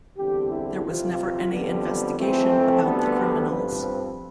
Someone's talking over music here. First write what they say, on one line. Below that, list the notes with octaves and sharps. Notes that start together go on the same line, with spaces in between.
There was never any investigation about the criminals.
E2 D3 G3 C4 G4
E4
F2 C3 F3 F4
F2 D3 G3 B3
F2 E3 A3 C4
A4
D2 D3 G3 B3
G2 F3 C4 B4